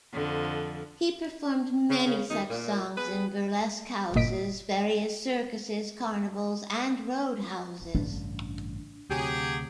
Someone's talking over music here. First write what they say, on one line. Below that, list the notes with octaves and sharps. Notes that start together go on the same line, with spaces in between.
He performed many such songs in burlesque houses, various circuses, carnivals, and roadhouses.
F2 D3 F3
C#3
C#3
F#2 D#3 D#4
A#2
B3 G#4 B4
G1 A#2 D#5 B6 D7
A1 G2 C#3 D4
D2 C3 F#3 G4 G#4